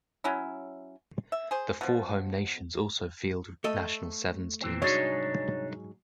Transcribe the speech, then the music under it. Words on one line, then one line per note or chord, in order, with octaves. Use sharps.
The four home nations also field national sevens teams.
F#3 C#4 E4
E5
G#4 C5
B2 F3
A3 A4 D#5
A#2 E3 C4
C2 G#2 F#3 G#3 D4 D#4 C#5